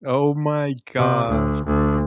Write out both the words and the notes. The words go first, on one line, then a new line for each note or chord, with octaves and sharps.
Oh my gosh.
C3
D2
D2